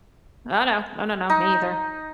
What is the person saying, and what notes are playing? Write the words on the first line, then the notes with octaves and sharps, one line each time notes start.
Oh, no, no, no, no, me either.
D#4